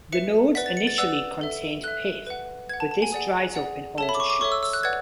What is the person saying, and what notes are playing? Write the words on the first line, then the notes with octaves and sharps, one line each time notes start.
The nodes initially contain pith but this dries up in older shoots.
B4 E5 C#7
B4 D5 F#5 B6
A6
C#7
A6
B4 D5 F#5 E6
A4 E5
A4 E5 F#6
B4 F#5
B4 F#5 G#6
A5
A5
G#5
G#4 D5 F#5
G#4 D5 F#5
A4 C#5 E5 A5
B5
D6
C#6
D6
A4 C#5 E5 C#6
E6
E6
F#6
B4 D5 F#5 G#6